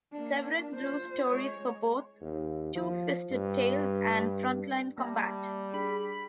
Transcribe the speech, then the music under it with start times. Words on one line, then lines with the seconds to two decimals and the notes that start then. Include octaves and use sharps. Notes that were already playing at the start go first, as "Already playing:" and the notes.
Severin drew stories for both "Two-Fisted Tales" and "Frontline Combat".
0.12 A#3 D4
0.75 F4 C5
1.26 G#3 C#5
2.21 D#2
2.75 F3
3.31 G2
4.98 G3 A#3 E5 A5
5.74 D4 G#4 B5